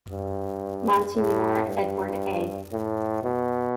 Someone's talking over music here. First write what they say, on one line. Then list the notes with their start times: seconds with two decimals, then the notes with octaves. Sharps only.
Monsignor Edward A.
0.12 G2
1.15 A2
1.68 G2
2.72 A2
3.24 B2